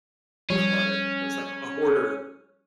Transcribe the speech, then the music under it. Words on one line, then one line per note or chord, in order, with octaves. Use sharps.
clutter. It was, like, a hoarder
F3 G3 C#4